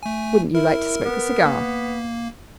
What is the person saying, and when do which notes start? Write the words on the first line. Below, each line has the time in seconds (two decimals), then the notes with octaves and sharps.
Wouldn't you like to smoke a cigar?
0.03 A3 G#5
0.55 E4 A#4
1.05 B3
1.45 A#3